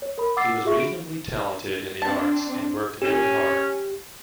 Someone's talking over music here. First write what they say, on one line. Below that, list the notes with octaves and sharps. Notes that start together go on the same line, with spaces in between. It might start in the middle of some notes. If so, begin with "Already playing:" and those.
He was reasonably talented in the arts and worked very hard.
C#5
A#4 B5
F#5 D6 E6 A6 C7
F4 F#4 G#4 E5 C#6
F#4 D7
C4 D4 A5
C#4 G4